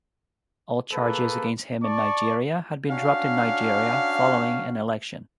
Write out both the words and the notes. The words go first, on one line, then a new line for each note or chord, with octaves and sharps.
All charges against him in Nigeria had been dropped in Nigeria following an election.
A#3 G#4 A4 B4
D5 A5 C#6
C#4 D4 F#4 F5